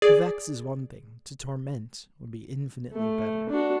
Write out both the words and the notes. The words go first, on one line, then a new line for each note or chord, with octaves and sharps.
To vex is one thing; to torment would be infinitely better.
G#4 D5
A3
D4 F#4